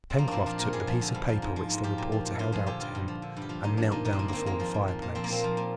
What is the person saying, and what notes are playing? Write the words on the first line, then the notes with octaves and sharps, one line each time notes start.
Pencroft took the piece of paper which the reporter held out to him, and knelt down before the fireplace.
C4
F3 A#3
A#2 C4 D4
F3 D4
A#2 A#4
G2 G#4
F3
D3
G2
F3
G#2
F3
G#2
F3 G4
A#2
F3
A#2
G2 F4
F3 G#4
D3 G4
G2 F4
G2
F3
D3
G2
G4
F3 F4
A#2 D#4
F3 D4
A#2 D#4
D#3 D#4
C4
G#2 D4
D#3 A#3 C4
G#2 A#3
F3
A#2
F3
A#2
F3 C4
A#3
A#2 C4
F3
A#2